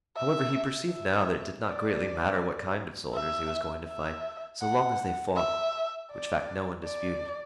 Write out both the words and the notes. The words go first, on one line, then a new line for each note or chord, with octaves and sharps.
However, he perceived now that it did not greatly matter what kind of soldiers he was going to fight, so long as they fought, which fact no one disputed.
E5
E5
D5
E5
E5
F#5
E5
D5
D5